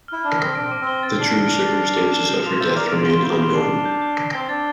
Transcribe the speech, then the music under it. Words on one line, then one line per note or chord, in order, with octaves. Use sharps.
The true circumstances of her death remain unknown.
E4 F6
D4 F6
C4 A#6
D4 D7
C4
D6
C4
G7
C4 A6
D4 C7
F6
F7
A6
C7
D6
E7
G6
F4 F7
C5 E5 A6
A#4 D5 A6
F4 D7
F4 G7
E4 G6
F4 G6
D4 C7
G7
G6
G6
C7
C4 G7
D4 A6